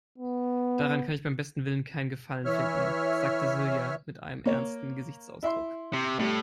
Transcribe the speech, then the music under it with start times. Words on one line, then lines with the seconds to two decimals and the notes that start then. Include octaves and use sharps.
"Daran kann ich beim besten Willen keinen Gefallen finden", sagte Silja mit einem ernsten Gesichtsausdruck.
0.18 B3
2.45 E3 C#5 E5 F6
4.46 A#3 C#5
5.43 E4 E5 C6
5.93 C3
6.19 A2 G3 A3